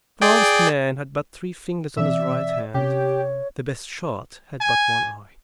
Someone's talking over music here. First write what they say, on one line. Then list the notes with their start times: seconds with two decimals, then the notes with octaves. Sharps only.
The strongest man had but three fingers on his right hand; the best shot had but one eye.
0.22 G#4 D5 G5
1.97 B2 E3 C4 D5 E5
2.74 C3 C#4 G4 C#5
4.61 G#5